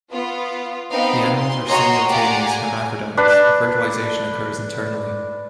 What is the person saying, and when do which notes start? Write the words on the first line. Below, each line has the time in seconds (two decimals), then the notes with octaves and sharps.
The animals are simultaneous hermaphrodites, and fertilization occurs internally.
0.12 B3 F4
0.92 B3 C4 D#4 B4 F5 G5
1.36 C6
1.68 F#4 C#5 D#5 G#5 A#5 C6
2.09 G4 D5 F5 F#5 G#5 A#5
2.45 G#5
3.17 D4 B4